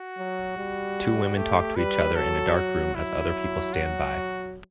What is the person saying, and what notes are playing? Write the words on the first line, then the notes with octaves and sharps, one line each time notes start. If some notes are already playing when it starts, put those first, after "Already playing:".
Two women talk to each other in a dark room as other people stand by.
Already playing: F#4
F#3
G3
A3 G4
G3 B4
F#3 A4
F#4
F#3 E4
F#4